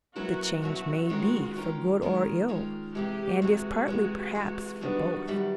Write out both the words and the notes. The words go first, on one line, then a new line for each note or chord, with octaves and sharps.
The change may be for good or ill, and is partly, perhaps, for both.
B2 F#3 A#3 C#4 E4 F#4
B2 F#3 A#3 C#4 E4 F#4
D#3 G#3 C#4 F4 F#4 A#4
D#3 G#3 C#4 F4 A#4
D#3 G#3 C#4 F4 A#4
D#3 G#3 C#4 F4 A#4
C3 E3 G#3 G4
C3 E3 G#3 F#4
C3 E3 G#3
C3 E3 G#3
F#2 D#3 G3 B3 D4 F#4
F#2 D#3 G3 B3 D4